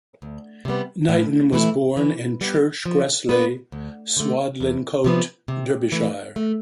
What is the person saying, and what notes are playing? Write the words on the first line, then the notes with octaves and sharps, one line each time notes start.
Knighton was born in Church Gresley, Swadlincote, Derbyshire.
D2
C3 G3 B3
A2
E3 A3 E4
E3
G3 B3
F3
B3 D4 F4 B4
D2
D3 A3
E2
C3 F3 B3 D4
C3
E3 A3
A3